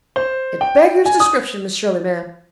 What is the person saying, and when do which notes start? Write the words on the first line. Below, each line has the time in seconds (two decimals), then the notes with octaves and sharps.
It beggars description, Miss Shirley, ma'am.
0.16 C5
0.61 G5
1.06 G#5
1.20 D#6